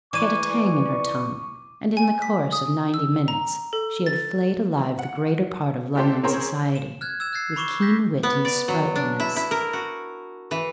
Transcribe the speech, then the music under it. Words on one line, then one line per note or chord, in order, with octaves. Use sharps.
She had a tang in her tongue, and in the course of ninety minutes she had flayed alive the greater part of London society, with keen wit and sprightliness.
E3 D5 C#6 D6 D#7
G#5
B6
D#6
E6
A#5
A4
A6
F#5
D3 A3 D4 G4 A4 C5
C4 C#4 G#4 A#4 C5 C#5
E7
F6 F#6 G#6
E6 G#6 E7
F#6 G6 A6 C7
B5 C#6 D6 E7 G7
G6 A#6 B6
B3
D5
F#3
D4
E4
E4
A#4
F#4
E3